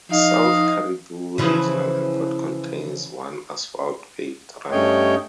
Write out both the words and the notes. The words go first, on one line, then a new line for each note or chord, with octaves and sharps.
South Cariboo Regional Airport contains one Asphalt paved runway.
F3 D#4 D#5 F5
C#3 E3 F3
G2 A3 C#4 C#5 D#5 G5